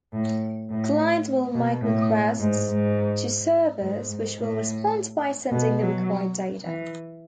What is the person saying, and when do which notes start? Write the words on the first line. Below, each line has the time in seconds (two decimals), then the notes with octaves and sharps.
Clients will make requests to servers, which will respond by sending the required data.
0.13 A2
0.70 A2
1.54 B2
1.82 A2
2.40 G#2
2.68 G#2
3.81 G#2
4.09 G#2
4.38 A2
5.51 B2
5.80 F#3
6.65 E3